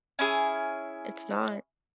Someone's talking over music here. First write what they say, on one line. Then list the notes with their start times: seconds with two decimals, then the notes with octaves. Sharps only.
It's not.
0.19 C#4 E4 G#4